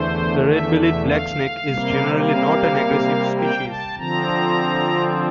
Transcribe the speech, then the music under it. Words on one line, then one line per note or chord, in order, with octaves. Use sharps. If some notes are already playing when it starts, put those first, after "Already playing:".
The red-bellied black snake is generally not an aggressive species.
Already playing: E2 D3 A3 C5
E5
E5
F5
C3 G3 A#3
F5
G5
A5
D3 F3 C4 A#5